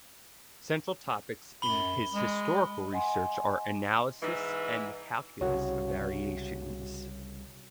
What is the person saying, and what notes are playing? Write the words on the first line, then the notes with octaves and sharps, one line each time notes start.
Central topics in his historical research are analysis and the calculus of variations.
F#2 B5 G7
G#3
D#5 F#5 G#5 C6
G#2 E3
C2 C#3 F#4 C#5